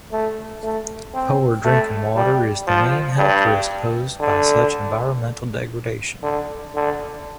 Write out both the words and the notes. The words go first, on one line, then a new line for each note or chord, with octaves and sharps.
Poor drinking water is the main health risk posed by such environmental degradation.
A3
A3
C4
A3
G3
F3
G2
D3
D3
D3